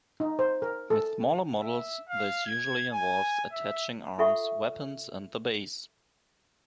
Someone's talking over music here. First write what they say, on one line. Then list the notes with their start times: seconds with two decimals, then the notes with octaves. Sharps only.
With smaller models this usually involves attaching arms, weapons and the base.
0.20 D#4
0.39 C5
0.62 A#4
0.90 A4
1.59 E5
2.08 F5
2.46 G#6
2.93 G#5
3.52 E5
4.18 F4 A4 E5 F#5 C#6